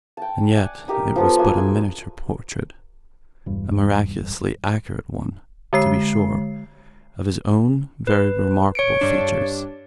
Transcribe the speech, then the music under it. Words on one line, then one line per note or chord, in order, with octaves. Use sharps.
And yet it was but a miniature portrait--a miraculously accurate one, to be sure--of his own very remarkable features.
G5 A5
D5 F#5 G#5
D#4 G4 A#4
F3 B3 A4
A#3 F#4 G#5 C6
G#4 G#5 E6
E1 G2
D3 G#3 C7
B4
C#5 C#7 D7
G2 D4